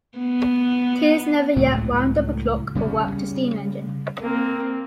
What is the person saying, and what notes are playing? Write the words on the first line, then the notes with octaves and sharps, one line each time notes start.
Tears never yet wound up a clock, or worked a steam engine.
B3
C#2 A2 F#3
C#3 G3 A3 C#4
A#3 C4